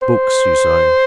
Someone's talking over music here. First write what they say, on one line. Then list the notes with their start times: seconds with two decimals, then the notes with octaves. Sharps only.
"Books," you say.
0.02 C5